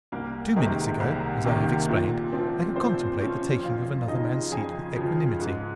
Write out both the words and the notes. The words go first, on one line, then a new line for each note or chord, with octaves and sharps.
Two minutes ago, as I have explained, I could contemplate the taking of another man's seat with equanimity.
C2 A#3 A#4
C3 D#3 G#3 A#3 G#4
C2
C3 D#3 A#3
A#2
F3 C4
A#2 C4 C5
F3 C4 C#4 C#5
F2 F4 F5
C#3 F3 D#4 D#5
F2 G#4 G#5
C#3 F3
G#2